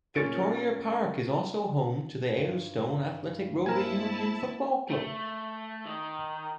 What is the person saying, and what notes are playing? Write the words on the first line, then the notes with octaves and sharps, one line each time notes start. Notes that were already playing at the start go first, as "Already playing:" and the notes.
Victoria Park is also home to Aylestone Athletic Rugby Union Football Club.
A#2 C#4 A6 C#7 D7
G2
A#3 E4 A#4 C5 G#5 A5
A3
D#3